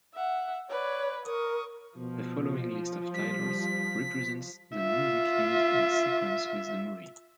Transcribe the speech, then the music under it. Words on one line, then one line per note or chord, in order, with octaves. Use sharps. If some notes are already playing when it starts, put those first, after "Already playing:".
The following list of titles represents the music used in sequence with the movie.
E5 F#5
B4 C#5 D5
A#4 C#6 D#6
B2 F3
G3 B6
F4 E5